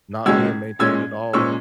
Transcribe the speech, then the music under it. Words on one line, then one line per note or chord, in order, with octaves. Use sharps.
not being maintained at all,
C#2 B2 G#3 C#4 E6 G#6
A#2 G#3 C#4 E6 G#6
A#2 G#3 C#4 C#6 E6